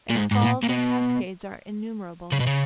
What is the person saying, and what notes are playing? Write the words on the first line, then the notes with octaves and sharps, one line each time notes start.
Its falls and cascades are innumerable.
A#2
G#2
G#2
A#2
A#2
B2
C#3
B2
C#3